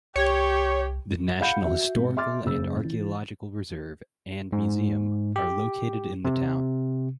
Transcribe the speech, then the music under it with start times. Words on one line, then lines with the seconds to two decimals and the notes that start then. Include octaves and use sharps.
The National Historical and Archaeological Reserve and Museum are located in the town.
0.16 C2 G4 C#5
1.41 F5 F#5 B5 G6 C#7
1.65 F#4 E5
1.96 G#1
2.17 E5 C6 D6 F6 A6
2.45 F#1 C#3 E6
2.84 E3
4.53 G#2
5.36 G4
6.25 C3